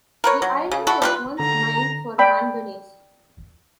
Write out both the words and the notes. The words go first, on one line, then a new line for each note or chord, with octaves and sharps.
The island was once mined for manganese.
A#4 B4 C#5
F#3
C#3
E4 F#4 A4
G3 F4 B4
D3 A#5
D5 G5 B5 E6